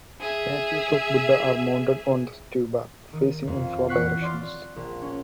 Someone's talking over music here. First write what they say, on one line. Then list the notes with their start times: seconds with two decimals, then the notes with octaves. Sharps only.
Statues of Buddha are mounted on the stupa, facing in four directions.
0.20 G#4 E5
3.13 D#3
3.48 F2
3.88 E3 F#5 C#6 F#6 B6 C7
4.21 D5 C6 F6
4.76 A#1
5.02 C#4